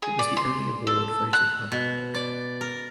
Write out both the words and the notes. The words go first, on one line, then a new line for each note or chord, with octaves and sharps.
It was the only award voted by the public.
G#4
D5
C6
A4
F#6
B2
D5
A#4